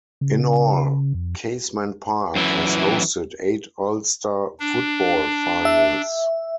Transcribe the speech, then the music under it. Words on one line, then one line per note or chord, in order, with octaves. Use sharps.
In all, Casement Park has hosted eight Ulster football finals.
C#3
F2
F#2 E3
D4
E5